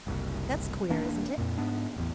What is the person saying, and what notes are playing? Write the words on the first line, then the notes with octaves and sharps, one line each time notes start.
That's queer, isn't it?
F#1 C2
E1 E2 A#3 D4
F2 A#2
G#2 B3 D4
D1 A1 E2